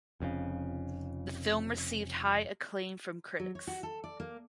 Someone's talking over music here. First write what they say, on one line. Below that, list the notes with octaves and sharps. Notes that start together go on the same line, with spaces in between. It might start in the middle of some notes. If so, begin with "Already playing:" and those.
The film received high acclaim from critics.
F1 F2 G#2 C#3
F#3
C#5
F#4
A4
D5
A#3